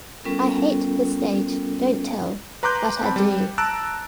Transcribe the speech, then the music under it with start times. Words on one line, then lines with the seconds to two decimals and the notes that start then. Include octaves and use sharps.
I hate the stage, don't tell-but I do.
0.25 G3 B3 C#4 F4 A4 A#4
2.63 B4 A#5 C6 D6 F#6 G6
3.01 C4 A5 B5
3.16 G3
3.58 A5 A#5 E6 F#6 D7